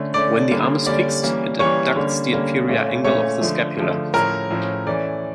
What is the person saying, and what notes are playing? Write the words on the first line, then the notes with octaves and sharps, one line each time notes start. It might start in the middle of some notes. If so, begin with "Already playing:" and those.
When the arm is fixed, it abducts the inferior angle of the scapula.
Already playing: D3 A3 C#4
D3 A3 C#4 D5 D6
D3 G3 A#3 C#4
D3 G3 A#3 C#4 D5 D6
E3 G3 A#3 C#4
E3 G3 A#3 C#4 C#5 C#6
D3 G3 A#3 C#4
D3 G3 A#3 C#4
A#2 A3 C#4
A#2 A3 C#4 C#5 C#6
D3 F3 A3
D3 F3 A3
A2 F3 C#4 A#4 A#5
A2 F3 C#4
E3 A3 C#4 D5 D6